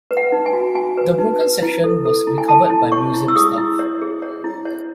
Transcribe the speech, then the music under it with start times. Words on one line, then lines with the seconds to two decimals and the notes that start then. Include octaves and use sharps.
The broken section was recovered by museum staff.
0.11 B4
0.17 F#5
0.32 D#4
0.46 G#5
0.53 F#4
0.75 F#4 G#5
0.97 B4
1.18 D#4
1.40 B4
1.62 E4
1.84 A4
2.05 A4
2.27 E4
2.38 G#5
2.48 A4 A5
2.70 E4
2.92 C#5 C#6
3.14 E4
3.28 E6
3.36 G#4 D#6
3.57 E4
3.79 C#5
4.01 G#4
4.22 C#5
4.44 E4
4.65 C#5